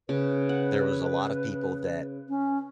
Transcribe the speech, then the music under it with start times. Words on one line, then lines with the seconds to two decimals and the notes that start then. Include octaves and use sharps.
there was a lot of people that
0.09 C#3 B4
0.49 F#5
2.29 C#4